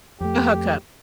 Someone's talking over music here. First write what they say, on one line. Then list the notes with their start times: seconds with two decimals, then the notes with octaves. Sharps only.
A hookup.
0.21 F2 A3 G4